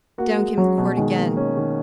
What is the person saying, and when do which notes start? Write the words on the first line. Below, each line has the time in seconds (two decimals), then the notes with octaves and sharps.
Down came the quirt again.
0.18 A#3 F#4
0.38 G#3
0.57 F#3 C#4
0.78 B2
0.97 D#3 G#3
1.17 A#3
1.37 C#4
1.57 D#3